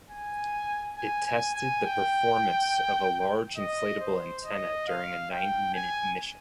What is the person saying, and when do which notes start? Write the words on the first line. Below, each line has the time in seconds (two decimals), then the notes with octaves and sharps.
It tested the performance of a large inflatable antenna during a ninety-minute mission.
0.10 G#5
0.97 G#5
1.26 G#5
1.54 G#5
1.84 G5
3.57 D#5
4.00 C5
4.45 D#5
4.88 F5
5.31 G5
5.74 G#5